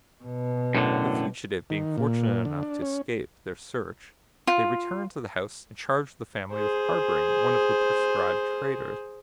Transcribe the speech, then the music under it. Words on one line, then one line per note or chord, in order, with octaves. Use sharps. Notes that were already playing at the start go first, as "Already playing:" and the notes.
The fugitive being fortunate enough to escape their search, they returned to the house and charged the family with harbouring one of the proscribed traitors.
B2
F#2 A2 D3
D#3
A#2
D3
D4
C#4
F4
G#4 C5